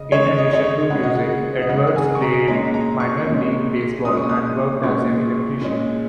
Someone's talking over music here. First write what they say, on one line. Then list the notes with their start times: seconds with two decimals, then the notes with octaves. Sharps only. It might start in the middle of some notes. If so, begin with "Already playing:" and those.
In addition to music Edwards played minor-league baseball and worked as an electrician.
Already playing: C#3 D#5
0.12 C#3 G#3 C#4 C#5
0.38 D#5
0.53 C#5
0.64 D#5
0.90 C#3 G#3 C#4 F#5
1.03 D#5
1.15 F#5
1.62 D#5
1.69 C#3 G#3 C#4 F#5
1.87 F#5
1.96 G#5
2.15 C#6
2.22 A#5
2.48 A#2 G#3 C#4 A#5
2.74 A#5
3.00 C#6
3.26 A#2 G#3 C#4
4.05 A#2 G#3 C#4 D#6
4.17 C#6
4.29 D#6
4.83 A#2 G#3 C#4 C#6
5.61 A#2 G#3 C#4